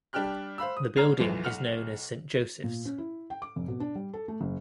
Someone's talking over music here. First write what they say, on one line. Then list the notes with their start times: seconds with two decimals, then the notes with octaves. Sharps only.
The building is known as Saint Joseph's.
0.13 G3 D4 G4 G5 F6 F#6
0.58 C5 F5 B5 E6
0.77 D#6
0.96 G#2 C#5 A#5 F6 C7 F7
1.17 B1 F#2 E3 F3
1.44 B1 F#5 F6 F7
2.63 A#2
2.85 C#4
2.98 E4
3.30 G5
3.42 D6
3.56 F1
3.68 B2
3.80 D4
3.95 G3
4.13 A4
4.28 A3
4.41 F#1